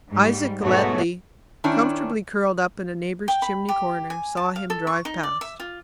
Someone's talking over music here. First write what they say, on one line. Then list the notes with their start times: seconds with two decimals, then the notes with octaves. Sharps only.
Isaac Galletly, comfortably curled up in a neighbour's chimney corner, saw him drive past.
0.10 G#2 G3
0.62 G#2 B2 A3 B3 F#4 C#5
1.64 D#3 C#4 D4 E4
3.28 G5
3.42 B5
3.69 G4
4.10 G#5
4.37 A5
4.56 F5
4.70 A4
4.87 C#6
5.05 D#4
5.23 D5
5.41 E5
5.60 F4